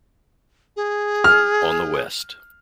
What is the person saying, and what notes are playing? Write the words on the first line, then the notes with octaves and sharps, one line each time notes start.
On the West.
G#4
F6